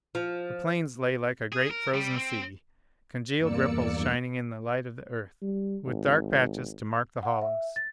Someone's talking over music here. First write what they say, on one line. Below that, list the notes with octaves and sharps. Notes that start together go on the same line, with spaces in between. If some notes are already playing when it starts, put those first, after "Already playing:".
The plains lay Like a great frozen sea, congealed ripples shining in the light of the Earth, with dark patches to mark the hollows.
F3
G#4
A#4
G3
C4
E2 G2 A#3 D5 E6 C#7
G3
G#1
F#5
E5
A6